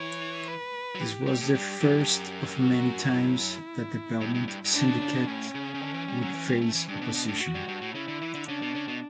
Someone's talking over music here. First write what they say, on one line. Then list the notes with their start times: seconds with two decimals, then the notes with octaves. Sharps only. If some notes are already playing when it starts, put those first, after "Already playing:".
This was the first of many times that the Belmont Syndicate would face opposition.
Already playing: E3 C#5
0.47 B4
0.95 F#3
1.00 E3 G4
1.27 G3
1.40 A2
1.54 G2
1.81 F#2
2.00 G2
2.07 F#2
2.60 F#4
3.14 E4
4.21 G2
4.34 G2
4.48 G2
4.65 G2
4.74 A2 D4
4.88 B2
5.01 C#3
5.14 B2
5.28 A2 C#4
5.55 C#3
5.74 C#3
5.81 D3
5.94 E3
6.08 G3
6.21 F#3
6.34 E3
6.48 G3
6.61 A3
6.75 E3
6.88 G2 D4
7.01 B2
7.15 B2
7.28 A2
7.41 F#4
7.55 G2
7.68 G2
7.82 A2
7.95 C#3 E4
8.08 D3
8.22 E3
8.35 D3
8.48 C#3 D4
8.62 B2
8.75 C#3
8.88 B2